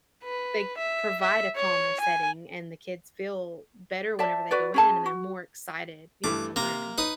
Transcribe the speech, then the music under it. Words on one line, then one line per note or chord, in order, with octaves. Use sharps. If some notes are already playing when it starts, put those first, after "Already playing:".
they provide a calmer setting, and the kids feel better whenever they go in, and they're more excited, you know, to learn.
B4
E5
E5
C#5
G#5
D5 E5 A5
F#4 B4 D5
C#4 G#4 A5
F#4
G2 E3 A3 D6
C3 A#3 A#5
D#4 B4 D#6